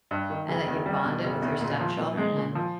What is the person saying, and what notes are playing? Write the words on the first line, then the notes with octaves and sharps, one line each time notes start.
and that you've bonded with your stepchildren and,
G2
D#3
F#1
E2
G3
B2
F#1
E2
A#2
F3
A#2
G#3
A#2
F3